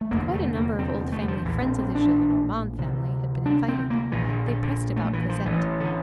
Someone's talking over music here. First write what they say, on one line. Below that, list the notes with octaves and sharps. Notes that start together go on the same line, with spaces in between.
Quite a number of old family friends of the Gillenormand family had been invited; they pressed about Cosette.
A3
F1 E2 D3 A#3
A3
A#3
C4
C4
A3
F3
A#1 A2 E3
C4
C4
D4
D2 C3
D4
C4
A#3
A#1 A#2 E3
D3
D3
D3
A3
E3
F3
A1 A2 E3
D3